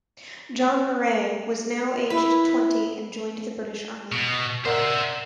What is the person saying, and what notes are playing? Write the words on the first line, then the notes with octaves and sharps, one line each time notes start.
John Murray was now aged twenty and joined the British Army.
E4 B4
B2
A#4 C5 D5 E5 F#5